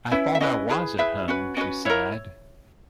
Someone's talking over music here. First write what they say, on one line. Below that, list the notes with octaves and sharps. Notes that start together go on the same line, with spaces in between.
'I thought I was at home,’ she sighed.
C#4 E4 B4 E5
E5
C#4 E4 B4 D#5
E4 G#4 B4
E4 G#4 B4 E5
C#4 F#4 B4
C#4 F#4 B4 D#5
E4 A#4 C#5